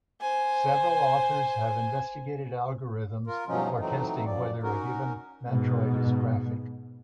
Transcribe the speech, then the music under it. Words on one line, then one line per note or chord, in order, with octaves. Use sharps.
Several authors have investigated algorithms for testing whether a given matroid is graphic.
C5 G#5
F4 A#4
G2 B2 F3 F#3 C#4 D#4
E3 F#3 A3 C4 D#4
F#2 F3 D5
C#4 D#4 F#4 A#4
G#2 B2